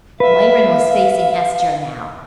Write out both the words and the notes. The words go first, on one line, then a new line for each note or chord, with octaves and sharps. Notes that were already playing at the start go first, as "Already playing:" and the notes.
Myrin was facing Estra now.
B4 E5 F5